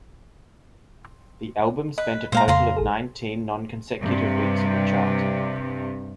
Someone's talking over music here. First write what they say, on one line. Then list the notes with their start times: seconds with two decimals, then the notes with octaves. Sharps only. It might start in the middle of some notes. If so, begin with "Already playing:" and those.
The album spent a total of nineteen non-consecutive weeks on the chart.
1.98 B4 D#5
2.32 A#2 G#3 A#3 C5 F5 A#5
2.48 F2 C#3 F5 A#5 C6
2.77 A1 G#4 A4
4.03 G2 C3